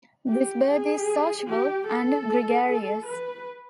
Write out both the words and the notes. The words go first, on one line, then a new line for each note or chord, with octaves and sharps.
This bird is sociable and gregarious.
G4
G#4
G4
A4
A4
B4